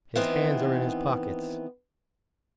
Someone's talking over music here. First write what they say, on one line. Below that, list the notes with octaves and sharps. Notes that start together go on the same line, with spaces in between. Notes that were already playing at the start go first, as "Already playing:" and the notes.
His hands are in his pockets.
D#3 E3 B3 C4